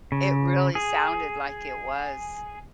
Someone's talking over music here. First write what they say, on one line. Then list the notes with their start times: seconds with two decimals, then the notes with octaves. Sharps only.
It really sounded like it was,
0.12 C#3
0.75 G#4